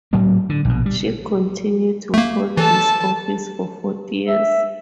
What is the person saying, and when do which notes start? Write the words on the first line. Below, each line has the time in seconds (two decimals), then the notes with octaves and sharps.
She continued to hold this office for forty years.
0.13 A2 F#3 G3 A#3
0.49 D3
0.65 A#1 B2
0.86 G3
2.14 A3 A#3
2.57 E3 A4 A5
4.28 E5